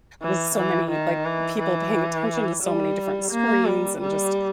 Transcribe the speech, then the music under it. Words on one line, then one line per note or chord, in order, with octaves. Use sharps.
with so many, like people paying attention to so many different screens and just
E3
E3
D#3
E3
E3
G3
A#3
G3
G3